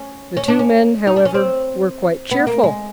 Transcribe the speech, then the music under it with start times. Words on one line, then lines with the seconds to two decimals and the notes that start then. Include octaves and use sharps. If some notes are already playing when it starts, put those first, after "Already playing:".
The two men, however, were quite cheerful.
Already playing: C#4
0.37 C#4
0.48 D4
0.59 C#4
1.07 D#4
1.16 D4
1.25 C#4
1.34 C4
2.31 B3
2.47 A#3
2.64 G#3